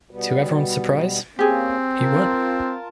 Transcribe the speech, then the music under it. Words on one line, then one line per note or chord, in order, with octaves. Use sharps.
To everyone's surprise, he won.
B2 G3 B3
A#3 C4 C#4 G4 G#4
F4 A#4 A5